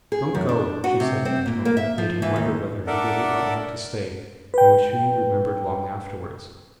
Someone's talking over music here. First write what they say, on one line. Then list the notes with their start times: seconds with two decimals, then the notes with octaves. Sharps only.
"Don't go!" she said in a tone that made him wonder whether he really ought not to stay and which he remembered long afterwards.
0.12 G#4
0.35 F#2
0.49 D4
0.84 F#4
1.00 C3
1.25 C4
1.46 A#2
1.65 A#3
1.77 E5
1.98 F3
2.22 E3
2.36 D#2
2.87 D4 A4 A#4 D5 E5 F#5
4.54 B4 G5